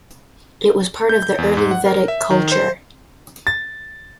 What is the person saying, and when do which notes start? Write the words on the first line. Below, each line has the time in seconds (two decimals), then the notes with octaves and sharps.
It was part of the Early Vedic culture.
1.09 G6
1.22 G6
1.38 E2
1.57 G#2
1.71 F#5
1.86 A#4
2.08 E5
2.30 D#3
2.52 C5
3.47 A6